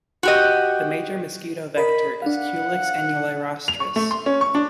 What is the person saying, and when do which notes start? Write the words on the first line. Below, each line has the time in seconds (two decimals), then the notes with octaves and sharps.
The major mosquito vector is "Culex annulirostris".
0.23 F#4 G4 D#5
1.78 A#4 D#5 B5
2.22 D4 F5 F#5
3.68 F7
3.80 C#6
3.96 A3
4.11 C6
4.26 C#4
4.41 C#6
4.55 D4